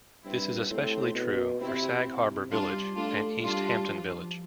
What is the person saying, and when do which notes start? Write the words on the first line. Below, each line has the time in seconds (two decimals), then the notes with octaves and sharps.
This is especially true for Sag Harbor Village and East Hampton Village.
0.25 G2 C4 E4
0.70 A2 A3 C4
1.15 B2
1.61 C3 C4 E4
2.07 C3
2.51 G3 D4 F4
2.96 A3 D4 F4
3.42 G3 D4 F4
3.87 F3